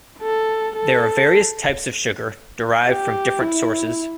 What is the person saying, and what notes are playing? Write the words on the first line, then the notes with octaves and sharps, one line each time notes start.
There are various types of sugar derived from different sources.
A4
A4
G4
E4